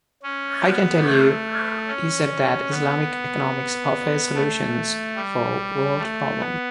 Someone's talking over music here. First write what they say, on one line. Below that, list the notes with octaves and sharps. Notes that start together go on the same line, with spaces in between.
"I can tell you," he said that Islamic economics offers solutions for world problems.
C#4
B3
A3
C#4
B3
A3
G3
A3
B3